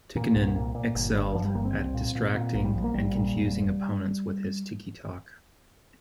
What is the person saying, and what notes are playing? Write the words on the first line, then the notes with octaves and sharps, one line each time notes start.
Tikkanen excelled at distracting and confusing opponents with his Tiki-Talk.
A#2
C2
A#2
A#2
G1
G2
G2 F3
G3
G1 A#3
C4
C2
A#2
A#2
A#2
A#1 A#3
G3
A#1 F3
A#3
A#1 G3
A#2
F1